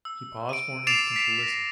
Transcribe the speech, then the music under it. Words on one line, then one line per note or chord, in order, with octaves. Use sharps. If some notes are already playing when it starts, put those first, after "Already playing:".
He paused for an instant to listen.
E6
D7 D#7
D6 A6 C7 D7 E7 F7
B6 D7
A#6